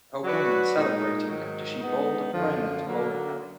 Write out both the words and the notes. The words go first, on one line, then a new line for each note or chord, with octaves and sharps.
A woman celebrating after she bowled a frame at a bowling alley.
F#3 D4 F#4 B4
A#2 G#3 D#4
G#2 D#3 F#3
G#3 B3 D#4
F#2 D3 F3
D3 F#3 A#3